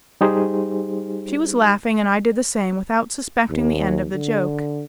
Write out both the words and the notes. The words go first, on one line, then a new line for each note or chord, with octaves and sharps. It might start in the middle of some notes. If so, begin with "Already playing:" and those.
She was laughing; and I did the same without suspecting the end of the joke.
G3 D#4 G4 G#4 C5
D#2
D3